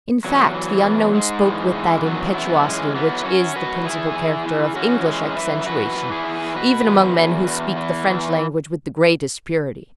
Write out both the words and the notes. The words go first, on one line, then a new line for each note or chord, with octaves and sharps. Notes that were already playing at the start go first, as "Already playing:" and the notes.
In fact, the unknown spoke with that impetuosity which is the principal character of English accentuation, even among men who speak the French language with the greatest purity.
E2 F#3
E3
E2
G#2 G#3
E3
E3
F#2 F#3 B3
F#2 B3 E4
E3 G#3 C#4
E3 F#3 B3
F#2 C#4 F#4
F#2 F#4 B4
E3 E4 G#4
E3
E3
E3 C#4 F#4
E3 G#3 C#4
F#2 B4 E5
E3 F#4 B4
E3
E4 G#4
E3
B2 F#4 B4
E2
E2
E2
E3
E2